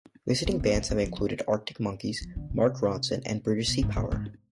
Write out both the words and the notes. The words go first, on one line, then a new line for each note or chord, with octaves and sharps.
Visiting bands have included Arctic Monkeys, Mark Ronson and British Sea Power.
B3
B3
A3
C4
F3
D3
F3
D3
C3
B2
G#2
A2
G#2